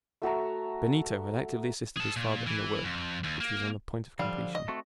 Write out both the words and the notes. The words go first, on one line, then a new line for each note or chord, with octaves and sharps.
Benito had actively assisted his father in the work, which was on the point of completion.
A3 F#4 E5 A#5
G#4 A5
A#2
E3
F2
D#2
A#3
D3 F3 G3 F5
D#5
A3 C4 F#4